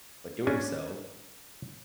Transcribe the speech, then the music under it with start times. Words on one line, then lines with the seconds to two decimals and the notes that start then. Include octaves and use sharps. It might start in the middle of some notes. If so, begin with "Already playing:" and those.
but doing so,
0.47 C#4 D4 G#5